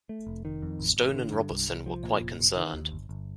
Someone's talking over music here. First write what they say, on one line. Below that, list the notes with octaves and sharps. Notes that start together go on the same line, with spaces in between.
Stone and Robertson were quite concerned.
A3
F1
D#3
F2
A1
A1
D3
G2
C2
C2
F3
A#2
F1
F1
D#3
D#2
G1
G1